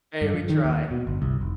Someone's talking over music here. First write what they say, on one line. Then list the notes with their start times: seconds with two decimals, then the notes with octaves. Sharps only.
hey, we try.
0.22 G2
0.34 F3
0.50 D#3
0.65 D#2
0.91 B2
1.07 G1
1.22 C2
1.41 F1